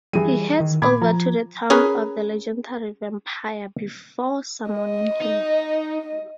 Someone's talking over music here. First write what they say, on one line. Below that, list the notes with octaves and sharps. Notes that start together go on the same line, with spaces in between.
He heads over to the tomb of the legendary vampire before summoning him.
E3 G3 G#4 D#7
D#3
A#2 B5 D6 G#6
F3 A#5
C#4 G#4 A#4 B4
D#5
D#4